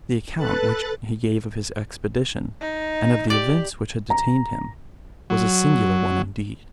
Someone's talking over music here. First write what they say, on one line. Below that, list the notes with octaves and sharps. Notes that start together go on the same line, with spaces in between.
The account which he gave of his expedition, and of the events which had detained him, was a singular one indeed.
A4 B4 F#6 A6
D#4
G4 D5
A#5
F#3